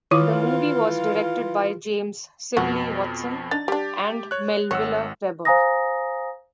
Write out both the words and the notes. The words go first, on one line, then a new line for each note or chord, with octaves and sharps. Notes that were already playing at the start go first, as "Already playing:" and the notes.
The movie was directed by James Sibley Watson and Melville Webber.
D#3 E3 E4 F4 D6
F2 B2 F#4
D4 D#4 A6
G3 D4 G4
C#5 F#6
G#1 C#5 F#5 E6
C5 F5 G#5 A#5 D#6 A#6